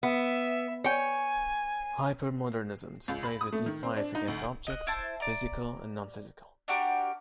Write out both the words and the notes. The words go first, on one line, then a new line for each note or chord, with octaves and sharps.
Hypermodernism displays a deep bias against objects physical and non-physical.
B3 E5
C#5 G5 G#5
C#2
B5
D#6
A3
D#3
C4
D4
D#4
D2
D#5 F#6
E4 C5 A5
D5 A#5
D4 F#4 G4 A#4